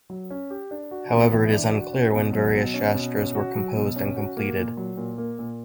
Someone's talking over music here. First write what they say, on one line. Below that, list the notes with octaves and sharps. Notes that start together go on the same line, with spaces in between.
However, it is unclear when various Shastras were composed and completed.
F#3
C#4
G4
D4
F#4
B3
E3
D4
F#4
C#4
B2
F#3
B2
C#4
B2
C#4
F#4
F#3
B2
C#4
F#4
A#3
A#2
F#3
A#2
A#3
A#2